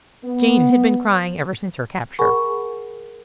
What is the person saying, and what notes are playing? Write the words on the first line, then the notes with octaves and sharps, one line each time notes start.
Jane had been crying ever since her capture.
B3
G#4 A#4 F#5 G#5 B5 C#6